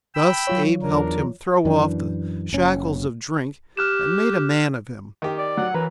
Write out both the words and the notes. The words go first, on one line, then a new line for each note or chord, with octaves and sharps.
Thus Abe helped him throw off the shackles of drink and made a man of him.
G5 B5 E6
F#3 F4 C#5
E2 D4 A#4
F#2 E3 D4
F#1 C#4
G4 F6 F#6 E7
D#3 G4
D5
F#3 F#5
E3 A#4 B4